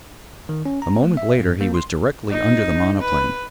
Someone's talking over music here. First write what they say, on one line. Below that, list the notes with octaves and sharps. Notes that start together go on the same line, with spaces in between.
A moment later he was directly under the monoplane.
D#3
C#4
A#5
A3
E5
G2
A#3
C6
D#4
B4